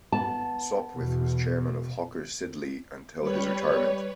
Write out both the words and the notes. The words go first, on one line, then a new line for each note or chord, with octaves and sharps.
Sopwith was Chairman of Hawker Siddeley until his retirement.
B3 A5
E2 B2
G3 B4 C#5